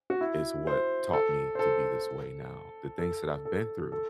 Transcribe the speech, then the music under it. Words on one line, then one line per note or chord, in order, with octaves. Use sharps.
is what taught me to be this way now, the things that I've been through,
F#4
E4
C5
A4
C5
A4
A4
A4
A4